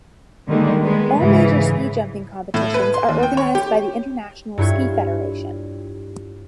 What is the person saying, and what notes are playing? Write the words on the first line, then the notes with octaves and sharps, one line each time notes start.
All major ski jumping competitions are organised by the International Ski Federation.
D3 D#3 G3 G#3 A#3
G#3 B3
G#2 C#3 E3
A2
B4
C6
D#2
G5
C#5
G4
G2 E4 F4 C#5 G#6